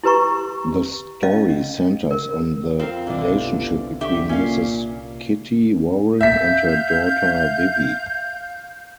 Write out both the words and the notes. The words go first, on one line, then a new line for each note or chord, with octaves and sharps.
The story centres on the relationship between Mrs Kitty Warren and her daughter, Vivie.
E4 G4 B4 A#5 C#6
C#4 D#5 F5
A#4
F2 C4 A#4 F5 G5 C7
C2 B2 D3 D5
G1
D3 G4 E5
A#2 A#3 C#4 F5
E5 F5 G6 B6